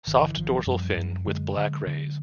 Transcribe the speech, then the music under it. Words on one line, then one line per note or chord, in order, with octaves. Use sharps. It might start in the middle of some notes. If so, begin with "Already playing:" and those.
Soft dorsal fin with black rays.
G1 D#3
D3 E3
G1 D#3 F3
E3 F#3
F#2 F3 G3
F#2
D3 F#3 G#3
D3
D3